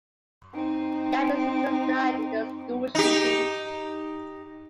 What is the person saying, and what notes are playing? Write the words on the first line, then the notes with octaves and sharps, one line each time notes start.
Gabby's sister died in a school shooting.
C4 D#4
D#4 G4